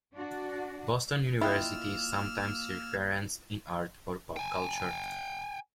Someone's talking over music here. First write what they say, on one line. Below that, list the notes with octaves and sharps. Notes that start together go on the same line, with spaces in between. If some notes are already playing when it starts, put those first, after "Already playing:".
Boston University is sometimes referenced in art or pop culture.
D4 F#4 D5
A#3 E4 F4 D#5 G5 E6 F6
G5 G#5